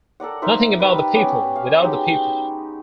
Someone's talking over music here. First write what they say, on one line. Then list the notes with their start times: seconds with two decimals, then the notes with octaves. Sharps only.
Nothing about the people without the people.
0.20 A4 A#4 D5 F#5
0.42 D#4 A#4 C5 E5
0.80 G3 A#4 B4
1.15 B3 C#4 G4 D5
1.56 F5
1.81 F#3 G#3 D#4 G4